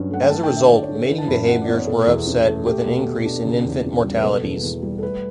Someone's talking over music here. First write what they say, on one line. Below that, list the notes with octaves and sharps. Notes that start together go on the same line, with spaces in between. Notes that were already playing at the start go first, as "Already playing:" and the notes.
As a result, mating behaviors were upset with an increase in infant mortalities.
Already playing: G2 F#3 C#4
A3 F#5
G5
A3 A5
G5
D3
E5
D3 D5
C#5
D4
A4
E3 B4
A5
F#2 B5
A5
F#2 F#5
D5
B3
C#5
B2 A4
E2
C#4
A3
A3 G4
B2
B2
D4
C#3
E2
C#4
G3
B4
B2 A4
E2
E2
G3
A4
A3 B4